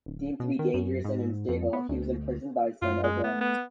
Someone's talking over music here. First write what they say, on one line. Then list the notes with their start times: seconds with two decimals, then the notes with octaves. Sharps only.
Deemed to be dangerous and unstable, he was imprisoned by his son, Oberon.
0.06 D1
0.40 B2
0.59 D#3
0.74 F#2
1.05 G#2
1.49 F2
1.73 B3
1.89 D2
2.82 F#2 F4
3.04 G#3
3.24 A3 B3
3.41 B3